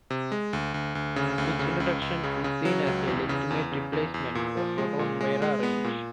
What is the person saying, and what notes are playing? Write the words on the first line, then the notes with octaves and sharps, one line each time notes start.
Its introduction is seen as a legitimate replacement for the Proton Wira range.
C3
G#3
D2
D2
D2
C#3
D2
C#3
C#2
C#2
C#3
C#3
F#3
C#2
E2
C#3
E2
C#3
E2
E2
A#2
F3
G#3
A#2
G#3
G#3
B3
A#2